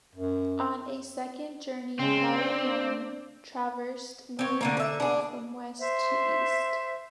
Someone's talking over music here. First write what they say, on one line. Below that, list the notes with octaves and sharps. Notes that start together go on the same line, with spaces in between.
On a second journey, Hari Ram traversed northern Nepal from west to east.
F#2
C#3 G#3 C4
D4
C4 C#5
D3 A3 A#3
D3 E5
D4 G#4
C5 E5